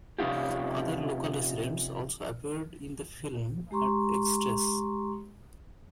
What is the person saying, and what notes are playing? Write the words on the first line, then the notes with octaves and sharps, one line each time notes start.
Other local residents also appeared in the film as extras.
C3 F3 C#4 D#4 F4 G4
G#3 G4 A#5 C6 C#6